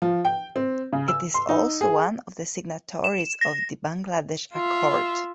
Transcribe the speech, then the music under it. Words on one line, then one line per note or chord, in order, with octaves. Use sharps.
It is also one of the signatories of the Bangladesh Accord.
F3
G5
C4
C#3
E6
C6
D#4
G#4
E7
A#6
F4 E5